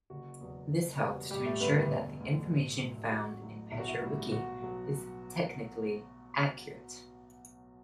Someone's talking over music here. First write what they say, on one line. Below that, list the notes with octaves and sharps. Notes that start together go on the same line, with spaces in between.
This helps to ensure that the information found in PetroWiki is technically accurate.
F#1 F#4
E2 B2 F#3
F#1
E2 B2 G3
A1 G3 G4
A3 A4
G2 D3 G3 B3 B4
E1
D2 D3
A1
A2 F#3
A1 F#4
A2 F#3
B1 E4
F#4
E4
A2 G3
B1 F#4
B2 F#3